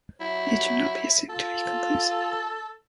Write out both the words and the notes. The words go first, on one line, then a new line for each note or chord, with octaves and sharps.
It should not be assumed to be conclusive.
F#3 E4
F4 A4